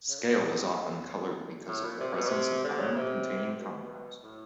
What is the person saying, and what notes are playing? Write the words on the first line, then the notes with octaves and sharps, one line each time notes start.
Scale is often coloured because of the presence of iron-containing compounds.
C#3
D3
C3
B2
A#2
A2
A#2
A2
A#2
C3
B2
C3
D3
C#3
C3
B2
A2